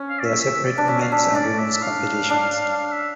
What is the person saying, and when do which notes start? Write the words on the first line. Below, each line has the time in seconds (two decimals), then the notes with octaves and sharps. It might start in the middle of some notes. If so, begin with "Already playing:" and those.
There are separate men's and women's competitions.
Already playing: C#4
0.09 F5
0.19 D5
0.24 E5
0.40 E5
0.64 D5
0.78 D4
0.88 C#4 E5
0.99 C#4 F5
1.12 D4 E5
1.23 C#4
1.35 D4 D5
1.59 E5
1.74 E5
1.83 F5
2.30 D4
2.77 F5
2.92 E5